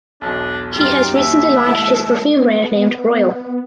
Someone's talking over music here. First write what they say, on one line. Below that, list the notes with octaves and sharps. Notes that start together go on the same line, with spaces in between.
He has recently launched his perfume brand named "Royal".
B1 E2 B2 D4
F#2 D#4 F4 G4
D#2 E5
G#3 E4 A4
B3